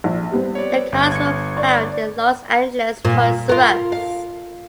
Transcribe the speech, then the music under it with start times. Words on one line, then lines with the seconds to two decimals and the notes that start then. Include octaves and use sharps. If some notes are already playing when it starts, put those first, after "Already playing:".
The cards were found in a Los Angeles Toys-R-Us.
0.04 A#1
0.31 G3 B3 C4
0.55 C#5 D5
0.92 G1
1.12 G#6 C#7
1.57 D5 C#6
3.05 A#2
3.49 F4 A#4
3.92 F5